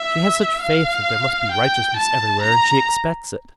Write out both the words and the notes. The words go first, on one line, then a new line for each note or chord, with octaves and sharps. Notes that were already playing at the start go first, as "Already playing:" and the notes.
She has such faith that there must be righteousness everywhere and she expects it....
Already playing: E5
F5
G5
A5
A#5